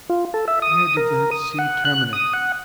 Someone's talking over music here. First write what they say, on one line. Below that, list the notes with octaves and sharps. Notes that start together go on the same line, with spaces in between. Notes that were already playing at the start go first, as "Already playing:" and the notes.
Where did that sea terminate?
F4
A4
E5
D#6
A#4
D#6
F#5
F#6
D#6
F#5